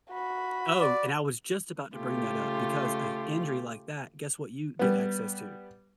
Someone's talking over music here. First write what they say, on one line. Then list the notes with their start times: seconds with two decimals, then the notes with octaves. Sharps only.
Oh, and I was just about to bring that up, because a injury like that, guess what you get access to?
0.11 F#4 B5
0.81 D5
1.96 C#3 A3 F4 G4
4.79 G3 B3